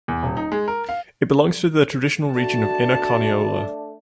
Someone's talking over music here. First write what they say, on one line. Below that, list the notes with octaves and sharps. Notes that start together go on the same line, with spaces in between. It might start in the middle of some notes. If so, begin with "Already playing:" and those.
It belongs to the traditional region of Inner Carniola.
E2
D#1
D#4
G#3
A#4
F5
A3 D4 F#4 A5